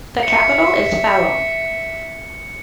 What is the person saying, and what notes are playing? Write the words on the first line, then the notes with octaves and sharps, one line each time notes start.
The capital is Phalombe.
E5 C#7